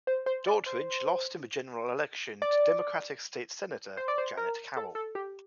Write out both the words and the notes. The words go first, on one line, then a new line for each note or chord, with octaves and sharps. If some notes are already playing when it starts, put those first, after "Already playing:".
Daughtridge lost in the general election to Democratic State Senator Janet Cowell.
C5
C5
D5
C5
D5
C5
D5
C5
A#4
A4
A4
G4